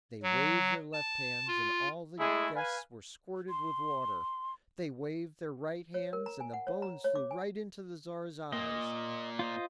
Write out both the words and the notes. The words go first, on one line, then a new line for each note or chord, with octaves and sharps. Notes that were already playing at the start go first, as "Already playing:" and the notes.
They waved their left hands and all the guests were squirted with water; they waved their right hands and the bones flew right into the Tsar's eyes.
F#3
A5
F4
G#3 A3 E4 G#4
B4 F5 G#5
C6
C#5
A#4
A#5
G#5
F#5
C#5
A#5
C#5
D6
G#5
A#2 D#5
F4 C5 D#5